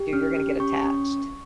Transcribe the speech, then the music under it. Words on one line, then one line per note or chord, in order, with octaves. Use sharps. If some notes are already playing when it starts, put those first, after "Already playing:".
you you're gonna get attached.
Already playing: G4
C#4 F6
G4
C#4 C#6
C#4